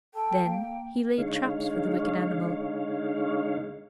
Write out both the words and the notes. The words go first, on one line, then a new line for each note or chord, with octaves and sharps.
Then he laid traps for the wicked animal.
A4 G5
A#3
D3 G#3 D#4 C#5 F5